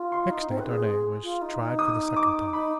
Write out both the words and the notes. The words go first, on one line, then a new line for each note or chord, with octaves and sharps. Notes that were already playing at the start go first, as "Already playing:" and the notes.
Next day Darnay was tried for the second time.
Already playing: F4
C6
D#4
C4
B4
G#4
G#4
F4
D#4
D#4
D#6
D6
D#4 B5